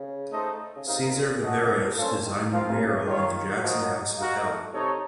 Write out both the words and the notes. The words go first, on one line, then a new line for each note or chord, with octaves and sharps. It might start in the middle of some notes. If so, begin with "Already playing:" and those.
Cesar Viveros designed the mural on The Jackson House Hotel.
Already playing: C#3
A3 D#4 A4 C5 D#5
C#3
C3 D#4 A#4 F5
C3
A#2
F#2 F#4 A4 D#5 F#5
F#2
A2
A2
A#2 C#4 F4 A4 C5 F5
D#3
F3 C4 F4 A#4 F5
C3
C#3
D#3 F4 A#4 C#5 F5
F#3
F3 F#4 A#4 D#5
F#3
D#4
D#4 F#4 A#4 F5
A3
C3 D#4 A4 C#5